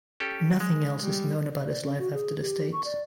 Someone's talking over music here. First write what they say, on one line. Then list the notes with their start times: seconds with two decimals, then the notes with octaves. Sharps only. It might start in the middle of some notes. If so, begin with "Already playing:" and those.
Nothing else is known about his life after this date.
0.20 C#4 G4 A4
0.60 G#3
1.02 G3
1.65 D5
1.84 C#4
1.99 F#4
2.13 G#4
2.41 G4
2.73 C#6
2.85 D5